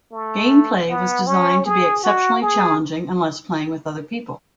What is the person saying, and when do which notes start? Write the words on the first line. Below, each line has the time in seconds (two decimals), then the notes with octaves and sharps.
Gameplay was designed to be exceptionally challenging unless playing with other people.
0.12 A3
0.89 B3
1.27 C#4
1.65 G#4
2.04 F#4
2.42 G#4